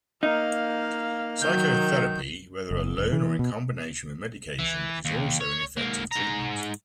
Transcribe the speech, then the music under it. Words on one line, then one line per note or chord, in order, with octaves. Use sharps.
Psychotherapy, whether alone or in combination with medication, is also an effective treatment.
A#3 D#4 F5
D#3 F#3 G6
F#1
E1
E3
B2
E3
D#2
C#5
G#2 A#3
G#2 A#5